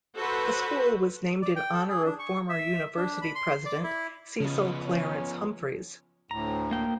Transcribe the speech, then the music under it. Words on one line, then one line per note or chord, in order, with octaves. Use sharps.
The school was named in honor of former University president Cecil Clarence Humphreys.
F#4 A4 B4 C5
D5
G5
A4
G#4
D4
C#6
E5
D4
B5
C6
D5
E4
C#3 F3 B3 D#5
C#4
D2 A2 A#5
A#3 G5